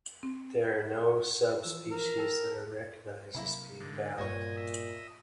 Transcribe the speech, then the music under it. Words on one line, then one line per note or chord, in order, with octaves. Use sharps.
There are no subspecies that are recognized as being valid.
C4
F#5 C#6
E3 F3 E6
A#4
G5 A5 E6
C3 F#3 A#3 E4 B5
G#2 D3
E1 G2 A#2 F#4 C5 C#5 D#5 G#5
D#5 E5